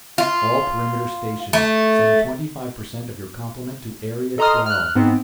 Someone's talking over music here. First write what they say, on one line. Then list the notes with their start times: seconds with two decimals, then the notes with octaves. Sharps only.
"All perimeter stations send twenty-five per cent of your complement to Area Twelve."
0.18 F4
1.53 A3
4.38 A4 D#5 A#5 C6 D#6 F6
4.66 F6 F#6
4.95 G#2 B3 C4